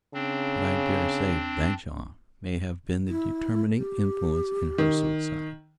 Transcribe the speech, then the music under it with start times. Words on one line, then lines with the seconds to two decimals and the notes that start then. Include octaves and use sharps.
But I dare say Bagshawe may have been the determining influence in her suicide.
0.14 C#3 C4 D4
3.08 E4
3.77 G4
4.78 D#3